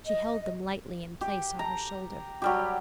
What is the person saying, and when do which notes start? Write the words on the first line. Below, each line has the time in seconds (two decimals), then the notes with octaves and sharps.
She held them lightly in place on her shoulder.
0.06 D#5
1.21 G4
1.59 A#5
2.42 F#3 G3 G4